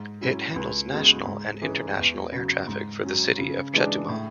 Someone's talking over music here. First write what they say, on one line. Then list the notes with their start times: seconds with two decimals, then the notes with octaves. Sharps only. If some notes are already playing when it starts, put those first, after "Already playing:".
It handles national and international air traffic for the city of Chetumal.
Already playing: G#2
0.21 F#3 C#4 E4
0.56 C#2
0.91 C#3 G#3 B3 F#4
1.26 G#2
1.62 E3 G#3 C#4 G#4
1.97 E2
2.32 C#3 F#3
2.67 G#2
3.03 F#3 C#4
3.38 C#3
3.74 E3 G#3 D4
4.09 A2